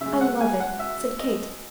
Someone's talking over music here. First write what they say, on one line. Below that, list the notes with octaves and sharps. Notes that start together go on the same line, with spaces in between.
"I love it," said Kate.
C#3 E5
G#3
F#5
G#5
F#5
E5
D#5